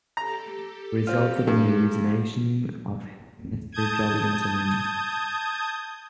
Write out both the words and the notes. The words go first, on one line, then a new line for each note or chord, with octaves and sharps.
It resulted in the resignation of health minister Julio Mazzoleni.
G4 A4 A#5
C4 F4
G2
A5 D#6 G6 G#6